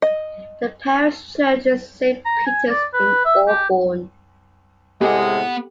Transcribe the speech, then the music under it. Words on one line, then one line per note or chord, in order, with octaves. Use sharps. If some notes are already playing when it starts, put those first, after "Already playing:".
The parish church is Saint Peter's in Aubourn.
D#5
A#5
G#5
D5
B4
E5
G4
A2 C3 G#3 B3 G4 A4 F#5